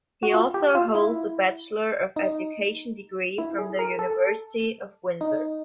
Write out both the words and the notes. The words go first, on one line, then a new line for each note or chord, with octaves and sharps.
He also holds a Bachelor of Education degree from the University of Windsor.
F#4
F4
G4
F4
E4
D#4
E4
G#4
A#4
A4
D#4